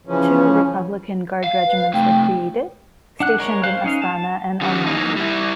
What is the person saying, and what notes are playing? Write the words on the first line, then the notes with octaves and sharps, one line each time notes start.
Two Republican Guard regiments were created, stationed in Astana and Almaty.
C#3 E3 F3 C#4
F5
B4
C3 A3 G5
D4 F#5 F#6
G#3 A#4 C#5
C5 F5 F#6
C#4 D#4 F5
A5
D3 D#3 C#4 G4 F#5
F#2 E3 A#3 D#4
G3 E4